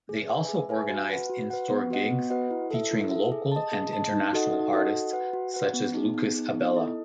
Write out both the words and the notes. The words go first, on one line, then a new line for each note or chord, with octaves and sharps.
They also organised in-store gigs featuring local and international artists such as Lucas Abela.
G#4
B4 E5 G#5
G#4
B4 E5 G#5
F#4
B4 F#5
F#4
B4 F#5
B3
F#4 B4 D#5 F#5
B3
F#4 B4 D#5 F#5
E4
A4 E5
E4
A4 E5
G#4
D#5 A5
G#4
D#5 A5
D#4
F#4 A4 D#5 F#5
D#4
F#4 A4 D#5 F#5
F#4
B4 F#5
F#4
B4 F#5
B3
D#4 G#4
B3
D#4 G#4
B3
E4 A4 D#5